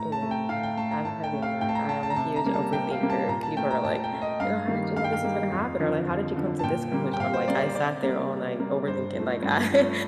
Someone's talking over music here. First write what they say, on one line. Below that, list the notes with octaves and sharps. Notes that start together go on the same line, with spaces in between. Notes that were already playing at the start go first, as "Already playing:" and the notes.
Yeah, I'm heavy on that. I am a huge overthinker. People are like, "You're how did you know this was gonna happen?" Or like, "How did you come to this conclusion?" I'm like, "I sat there all night overthinking," like, I
Already playing: A2 A#5
A5
A3
G5
A2 F5
G5
A3 A5
A#5
A2 A5
G5
A3
F5
A2 G5
A5
A#5
A3 A5
A5
A#5
C3 A5
A#5
G3 A#3
A5
C3 G5
F5
G3 A#3
A5
A#2 A#5
A5
A3 G5
A#5
A#2 A5
G5
A3
D#5
G2 F5
D#3 G3 A#3
G2 F5
G5
F5
D#3 G3 A#3
F2
D3 F3
F2
D3 F3
A5
A#2 G5
G3 A#3
G5
A#2 F5
C5
G3 A#3 D5
D5
C3 D5
G3 A#3
C3
G3 A#3
G2 C5
F3 A3
G2
F3 A3